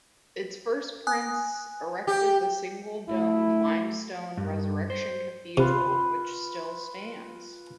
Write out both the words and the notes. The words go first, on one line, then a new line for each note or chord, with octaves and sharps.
Its first prince erected the single-domed limestone Resurrection Cathedral, which still stands.
G#5 D#6 F#6
G4
A3 E4
G2
C5
C3 F4 B4 C6